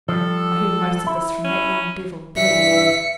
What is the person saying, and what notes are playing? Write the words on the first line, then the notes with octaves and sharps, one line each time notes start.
'I heard most of this from that young devil, Billy the Boy.
F3 G3 A4
E4
C#4
G2 C#3 E3 E5 B6 C#7